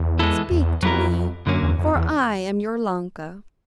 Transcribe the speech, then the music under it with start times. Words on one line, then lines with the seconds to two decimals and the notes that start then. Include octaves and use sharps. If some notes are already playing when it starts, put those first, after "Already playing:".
Speak to me, for I am your Ilonka.'
Already playing: E2
0.19 E3 G#3 B3 E4 A4
0.51 E2
0.83 F2 F#3 B3 E4 G4 A#4
1.47 F#2 D3 F#3 A#3 C#4
1.63 E2
1.79 F2
1.96 E2